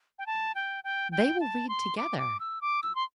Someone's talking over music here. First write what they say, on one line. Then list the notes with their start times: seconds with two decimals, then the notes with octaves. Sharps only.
They will read together.
0.19 G5
0.26 A5
0.55 G5
0.84 G5
1.12 G5
1.41 A5
1.69 C6
1.97 D6
2.18 D6
2.40 E6
2.61 D6
2.83 E6
2.95 C6